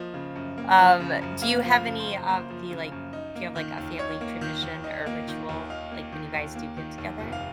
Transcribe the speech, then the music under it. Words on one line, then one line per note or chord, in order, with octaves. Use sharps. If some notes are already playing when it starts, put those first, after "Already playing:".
Um, do you have any of the, like do you have, like, a family tradition or ritual, like, when you guys do get together?
Already playing: F3 A#3 D#5
C#3
F#2
A#3
F3
C#3
F#2
A#3 F5
F3
F5
C#3
C5
F#2
A#3 C5
F3
C#3
F#2
D#4
A#3
D#3
D#2
D#4 C#5
A#3
D#3
D#2
D#4
A#3
D#3
D#2
D#4 F5
A#3
D#3
D#2
A#3
D#3
D#2
F1
F5